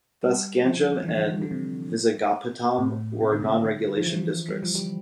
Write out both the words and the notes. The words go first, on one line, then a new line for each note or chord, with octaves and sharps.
Thus Ganjam and Vizagapatam were non-regulation districts.
G3
F3
E3
D3
D3
C3
A2
C3
D3
C3
D3
F3
E3
G3
F3
G3